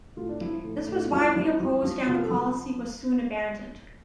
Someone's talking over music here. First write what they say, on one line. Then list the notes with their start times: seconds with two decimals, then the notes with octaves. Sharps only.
This was widely opposed and the policy was soon abandoned.
0.17 A2 F4
0.29 D4
0.41 F3 E4
0.53 E4
0.64 A2
0.88 A2
1.12 F3 F4
1.21 E4
1.31 D4
1.36 F3
1.42 E4
1.60 F3
1.83 F3
2.07 C3 F4
2.17 A#4
2.23 A4
2.30 F3